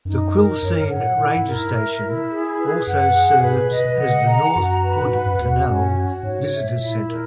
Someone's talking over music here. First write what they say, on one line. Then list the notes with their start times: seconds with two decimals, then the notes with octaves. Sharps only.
The Quilcene Ranger Station also serves as the North Hood Canal Visitors Center.
0.05 F#2 D#4
0.34 A#4
0.63 F#2 C#5
0.81 G#2
0.90 F#5
1.00 A#2
1.18 A#2 E4
1.37 G#2
1.46 A#4
1.56 G#2
1.74 E5
2.02 E4
2.30 G#4
2.59 B4
2.87 F#2 F#5
3.15 G#4
3.42 G#2 B4
3.57 A#2
3.71 B2 D#5
3.85 B2
3.98 C#3 F#5
4.27 A#5
4.56 F#2 F#4
4.83 B4
5.02 A#2
5.11 G#2 F#5
5.26 F#2
5.39 E2 F#4
5.53 E2
5.67 F#2 C#4
5.96 F#4
6.23 G#2 C#5
6.52 E5
6.79 A#2 E4
7.08 A#4